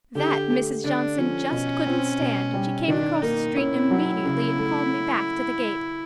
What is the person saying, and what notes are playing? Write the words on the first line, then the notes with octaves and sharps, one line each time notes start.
That, Mrs. Johnson just couldn't stand, and she came across the street immediately and called me back to the gate.
D3 G4
A3
D3 D4
F3 C#4
B2
C4
B2
G3
D#3 D4
A#3 D#4
C#4 E4
F#3
C#3
A3